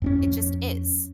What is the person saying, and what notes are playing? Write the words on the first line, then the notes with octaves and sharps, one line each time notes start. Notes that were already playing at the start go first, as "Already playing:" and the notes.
It just is.
F2 C4 C#4